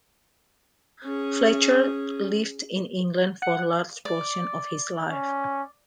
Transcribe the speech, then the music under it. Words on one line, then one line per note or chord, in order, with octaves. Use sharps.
Fletcher lived in England for a large portion of his life.
C#4 G#4
F#5
D5
C#4